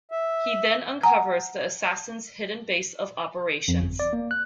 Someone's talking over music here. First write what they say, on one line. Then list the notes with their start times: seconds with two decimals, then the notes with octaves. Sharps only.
He then uncovers the assassin's hidden base of operations.
0.11 E5
1.03 F#5 G#5 A#5
3.68 F2
3.81 G1
3.99 D5
4.13 A#3
4.31 F#6